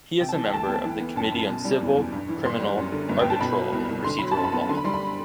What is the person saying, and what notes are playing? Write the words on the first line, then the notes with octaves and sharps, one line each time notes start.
He is a member of the Committee on Civil, Criminal, Arbitral and Procedural Law.
C3 G5
A5
E3
G5
D2 A5
B3 G5
E3
B3
F#2 A5
F#2
B2
G3
E2
E2
G2
E3
G1 C6
G3
F#2
D3
G1
G1 G5
A5
B2 B5
F#3
C2
C2
D3 C6
F#3 B5
A5
F#2
B5
B3
D3 C6
B5
G3 C6
B5